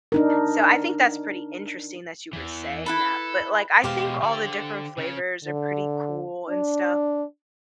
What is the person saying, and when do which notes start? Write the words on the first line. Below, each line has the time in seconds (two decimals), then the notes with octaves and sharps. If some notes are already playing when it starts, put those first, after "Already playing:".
So, I think that's pretty interesting that you were saying that, but, like, I think all the different flavors are pretty cool and stuff.
0.12 D4 D#4 A#4
2.33 E2 E3
2.86 E4 A4 B4 B5
3.84 B2 G#3 G4 C5 F5
4.23 D3 D5
4.97 C#3 C#4
5.44 D3
6.49 D4